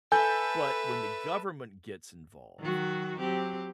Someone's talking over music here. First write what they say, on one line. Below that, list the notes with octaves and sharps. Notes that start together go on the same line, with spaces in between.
but when the government gets involved,
A4 B4 E5 G#5 G6
D#3 F#3 F#4
F#3 C4 G4